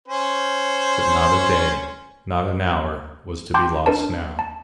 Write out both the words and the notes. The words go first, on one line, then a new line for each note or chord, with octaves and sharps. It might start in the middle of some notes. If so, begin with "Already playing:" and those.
But not a day, not an hour, was to be lost now.
C#4 C5
G5 A5 C6 D6 G6
D4 A#4 B4 A5
A5